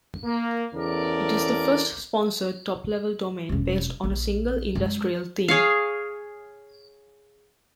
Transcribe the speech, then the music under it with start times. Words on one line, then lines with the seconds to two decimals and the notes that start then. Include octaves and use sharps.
It is the first sponsored top-level domain based on a single industrial theme.
0.24 A#3
0.75 E2 C#3 A4 A#4 D5
3.49 E1 C#4
4.03 A#1 A#3
4.75 F#2 G#3
5.48 G#4 C#5 F5